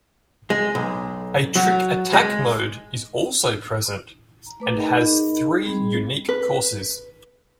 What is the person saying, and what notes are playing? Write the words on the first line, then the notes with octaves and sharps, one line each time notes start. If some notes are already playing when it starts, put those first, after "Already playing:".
A trick attack mode is also present and has three unique courses.
G#3
B1
F#3
G#3
A#5
A3 B4 D6
D#4 G#4 A#4 D#5 B5
G3 C4 G#4 B5
B4